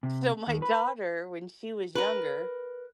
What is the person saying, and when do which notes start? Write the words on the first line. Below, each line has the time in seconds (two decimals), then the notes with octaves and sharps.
So my daughter, when she was younger,
0.03 C3
0.47 D#2
0.62 B4
1.95 A#4 B4